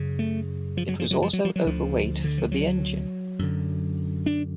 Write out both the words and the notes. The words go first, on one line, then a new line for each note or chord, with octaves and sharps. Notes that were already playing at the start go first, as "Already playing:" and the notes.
It was also overweight for the engine.
Already playing: F#2 C#3
A3
F3
F#3
F3
F#3
F3
F#3
F3
F#3
D2 D3 F3
D3
F3
F#3
F#2 D3
D4